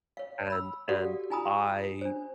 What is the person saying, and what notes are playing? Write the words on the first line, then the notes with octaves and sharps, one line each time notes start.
and and I
C#5 F5
B5 E6
F#4 G4 A4 D5 F5 F#5
D#4 F4 G#5 A#5 B5 D#6
D4 C5